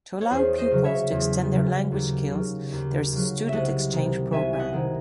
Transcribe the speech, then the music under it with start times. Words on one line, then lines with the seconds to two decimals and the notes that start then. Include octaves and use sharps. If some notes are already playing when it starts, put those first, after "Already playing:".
To allow pupils to extend their language skills there is a student exchange programme.
0.21 C#5
0.30 E2 G#4 C5
0.58 C5 D#5
0.71 C#3 F#3
0.84 C#5 E5
1.11 E2
1.51 C#3 F#3
1.92 D#2
2.32 C#3 F#3
2.72 D#2
3.12 C#3 F#3
3.48 C2 D#5 E5 F#5
3.92 C3 D#3
4.31 C2 E5 G#5
4.53 G#5
4.59 D#5 F#5
4.72 C3 D#3